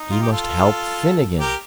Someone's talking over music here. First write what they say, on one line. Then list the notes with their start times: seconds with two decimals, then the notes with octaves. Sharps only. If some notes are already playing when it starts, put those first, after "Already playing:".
He must help Finnegan.
Already playing: D#4
0.10 F4
0.21 G4
0.32 F4 A4
1.40 G4 A#4